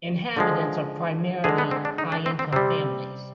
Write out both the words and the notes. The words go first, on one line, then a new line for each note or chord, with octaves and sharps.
Inhabitants are primarily high income families.
D3 F3 G#3
D3 G#3 G#4
B3
C4
D4
D#4
D4
C4
C4
C3 G3 C4